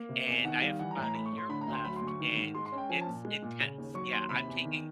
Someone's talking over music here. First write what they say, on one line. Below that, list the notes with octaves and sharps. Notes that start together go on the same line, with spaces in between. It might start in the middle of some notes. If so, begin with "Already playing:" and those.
and I have about a year left, and it's intense. Yeah, I'm taking
Already playing: A#3
C3
E2
D#3 F#5
G3 F5
E3 F#5
A#5
A2
A#5
A3 B5
C#6
A2
C6
D3 B5
A#5
D2
C6
F#3 B5
C6
D2
C#6
D#3
G#2
G#3 C6
C6
C#4
G5
F3 G#5
A5
A#2
G#3
A#2
C#3
D#2
F#3 C#6
D#2 C6
C3 B5
E2
D#3